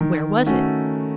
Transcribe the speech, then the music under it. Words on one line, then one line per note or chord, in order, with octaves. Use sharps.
Where was it?
D#3
A3 C#4 F#4 A4